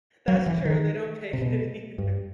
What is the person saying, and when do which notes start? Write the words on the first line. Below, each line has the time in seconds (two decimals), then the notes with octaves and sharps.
That's true. They don't pay good either.
0.28 F#3
0.46 E3
0.58 E3
0.65 D#3
1.33 C3
1.41 B2
1.98 G2